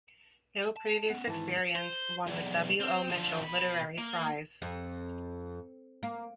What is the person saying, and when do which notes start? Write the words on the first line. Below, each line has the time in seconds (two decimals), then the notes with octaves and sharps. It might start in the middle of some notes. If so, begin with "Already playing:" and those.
"No Previous Experience" won the W. O. Mitchell Literary Prize.
0.77 A5
1.10 B3 C#4 F#5
1.27 G#2 D#3 E3 E4 A5
1.75 C5
2.27 B1 E2
2.80 C4
3.10 D3 F3
3.41 B2 B5
3.98 A#3
4.62 F2
6.03 A#3